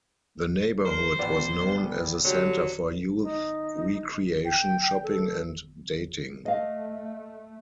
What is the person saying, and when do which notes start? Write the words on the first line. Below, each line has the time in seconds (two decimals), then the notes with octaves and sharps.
The neighborhood was known as a center for youth recreation, shopping, and dating.
0.85 A#4 C5
1.19 A#1 B3 D5
2.25 D3 F#3 G4
3.23 D#4
4.45 G5
5.03 A4
6.45 A3 D#5 F5